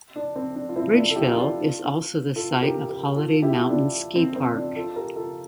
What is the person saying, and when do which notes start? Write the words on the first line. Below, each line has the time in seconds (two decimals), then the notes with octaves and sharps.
Bridgeville is also the site of Holiday Mountain Ski Park.
0.16 D4
0.36 C4
0.56 D4
0.69 F4
0.76 C4 E4
0.96 D4 F4
1.10 A4
1.16 E4 G4
1.36 D4 F4
2.36 F4 A4
2.62 G4 A#4
2.89 G4 A#4
3.16 F4 A4
3.42 E4 G4
3.69 D4 F4
4.16 C4
4.36 C4
4.56 D4 F4
4.76 F4 A4
4.96 G4 A#4
5.16 F4 A4